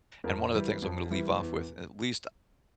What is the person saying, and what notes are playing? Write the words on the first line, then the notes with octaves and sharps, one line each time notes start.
And one of the things I'm gonna leave off with, at least
F2 A#4
E3 G3
F2
E3 G3
E2